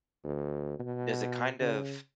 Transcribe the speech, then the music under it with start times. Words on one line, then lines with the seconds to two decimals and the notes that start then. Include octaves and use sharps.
does it kind of
0.24 D2
0.80 B2
1.61 C#3